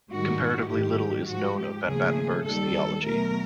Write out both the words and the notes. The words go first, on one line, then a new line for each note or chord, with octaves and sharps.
Comparatively little is known of Van Batenburg's theology.
G#2 D#3 G3 F#4
G#2 D#3 G3 G4
G#2 F3 G#3 F#4
G4
D#2 C#3 F3 A3 G#4
D#2 D#3 G3 A4
B2 F#3 A3 A#4